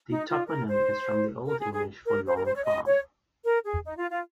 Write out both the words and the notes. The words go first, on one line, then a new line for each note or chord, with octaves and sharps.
The toponym is from the Old English for "long farm".
D#4
F4
A#4
C5
A#4
G#4
G#4
A#4
C5
A#4
C5
C#5
D#5
C#5
A#4
G#4
D#4
F4
F4